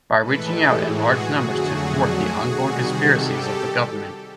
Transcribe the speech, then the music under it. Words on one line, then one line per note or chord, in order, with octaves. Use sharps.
By reaching out in large numbers to thwart the ongoing conspiracies of the government.
A2 E3 G#3 A4 B4
G4 A4
F#4 G#4
F2 D3 F#3 A3 F#4 G#4
C3 D#3 G3
G4 A4